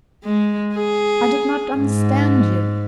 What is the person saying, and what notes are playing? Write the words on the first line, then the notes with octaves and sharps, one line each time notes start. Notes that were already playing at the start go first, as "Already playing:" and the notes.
I did not understand you.
G#3
G#4
G#2